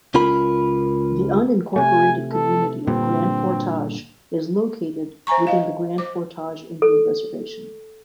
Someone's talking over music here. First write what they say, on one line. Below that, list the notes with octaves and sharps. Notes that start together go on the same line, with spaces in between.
The unincorporated community of Grand Portage is located within the Grand Portage Indian Reservation.
C#2 C#4 F4 A#4 B5
C3 A3 G#5
A4
G2 A#2 D3 C4
C5 E5 G#5 A#5 C#6
D#5 F5
C5 D6
A4